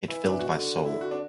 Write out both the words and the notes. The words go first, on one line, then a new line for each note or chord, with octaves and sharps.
It filled my soul.
E3 E4
E3 D4
F#4
B2
D3
E4
F#4
D4